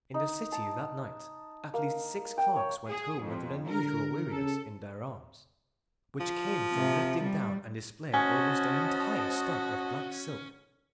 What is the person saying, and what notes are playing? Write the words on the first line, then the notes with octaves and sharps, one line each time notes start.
In the city that night at least six clerks went home with an unusual weariness in their arms, which came from lifting down and displaying almost their entire stock of black silk.
D#4
A5
A#3
G5
C#5
G#4
F2
D3 A#4
C#3 A4
F3
C3
G3
C#4 F#4 C5 D#5 G#5 A5